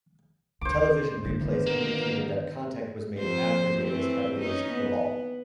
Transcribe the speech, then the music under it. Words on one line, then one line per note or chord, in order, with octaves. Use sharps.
Television replays indicated that contact was made after Davis had released the ball.
D2 C5 D6
D3 A3
D3 D#3 B3 F4
A#3
F2 C5
E3 A3 C4
C#4 D#4
B3